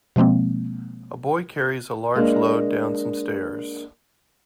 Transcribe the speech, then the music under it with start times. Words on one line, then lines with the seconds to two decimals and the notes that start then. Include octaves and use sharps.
A boy carries a large load down some stairs.
0.16 B2 F3 G#3 A#3 C4
2.16 G#3 A#3 D4